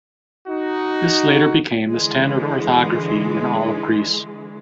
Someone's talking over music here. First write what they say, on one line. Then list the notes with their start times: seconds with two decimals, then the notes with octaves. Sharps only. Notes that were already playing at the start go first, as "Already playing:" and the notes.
This later became the standard orthography in all of Greece.
0.48 D#4 F#4
1.90 D3 E3 G#3